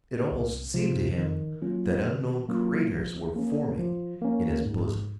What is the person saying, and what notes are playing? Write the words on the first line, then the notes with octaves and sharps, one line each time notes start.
It almost seemed to him that unknown craters were forming in his bosom.
C2
C3 F3
D#3
F#3 A#3 C#4 F4
D#3
F#3 A#3 C#4 F4
F3
A#3 C#4
F3
A#3 C#4
G#2